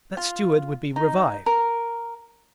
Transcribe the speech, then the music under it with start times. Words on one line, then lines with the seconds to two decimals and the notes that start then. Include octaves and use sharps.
That steward would be revived.
0.17 F4
0.96 D#4
1.46 A#4